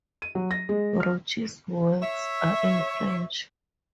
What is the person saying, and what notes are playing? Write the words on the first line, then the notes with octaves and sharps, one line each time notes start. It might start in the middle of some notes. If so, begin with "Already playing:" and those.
Roche's works are in French.
D#7
F#3
A#6
G#3
F6
C#5 E5